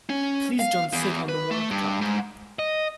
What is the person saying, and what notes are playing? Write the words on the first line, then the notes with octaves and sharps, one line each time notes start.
Please don't sit on the worktop!
C#4
F5
E2
B4
A3
G2
G#2
D#5